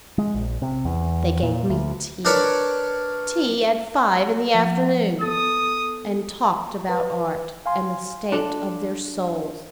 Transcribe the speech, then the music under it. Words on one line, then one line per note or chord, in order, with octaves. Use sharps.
They gave me tea,--tea at five in the afternoon!--and talked about Art and the state of their souls.
G#3
A#1
C3
E2
A#2
D2
D4 A#4 B4 C#5 D5
F3 F#5
B3 A4 D#6 A6
B4
F5 G#5 C6
D4 A4